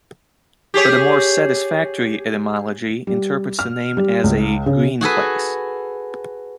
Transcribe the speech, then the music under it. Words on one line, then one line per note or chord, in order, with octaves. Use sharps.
But a more satisfactory etymology interprets the name as a "green-place".
G4 G#4 C#5
G3
F6
G3
C#2
C#3
F#4 G#4 A4 B4